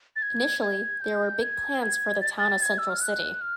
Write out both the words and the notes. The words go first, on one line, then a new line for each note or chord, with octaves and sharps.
Initially, there were big plans for the town of Central City.
A6
G#6
G#6
G6
G#6
G#6
A6
A6
G#6
E6
F6
F#6
F6